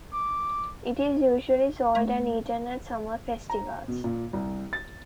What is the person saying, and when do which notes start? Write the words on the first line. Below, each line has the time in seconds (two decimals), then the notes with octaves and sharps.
It is usually sold and eaten at summer festivals.
0.13 D6
1.95 A3
3.50 A#5
3.88 B2
4.04 A#2
4.33 C2
4.73 A6